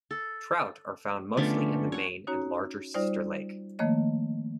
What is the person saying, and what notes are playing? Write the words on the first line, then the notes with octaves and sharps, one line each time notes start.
Trout are found mostly in the main and larger sister lake.
A4
D3 F3 A3 B3 C#4 D4
C#5 F#5
C#4 D#4 F#4 C#5 A#5
G3 D#4 F4 C5 D5
D#3 F3 A3 A#3 C#5 D#5